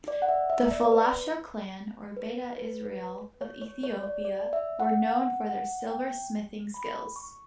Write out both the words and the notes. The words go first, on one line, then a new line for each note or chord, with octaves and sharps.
The Falasha Clan, or Beta Israel, of Ethiopia were known for their silversmithing skills.
D5
F#5
E5
E5
D5
B4
B4
B4
B4
C#5
C#5
C#5
D5
D5
E5
F#5
F#5
F#5
G5
B5
C#6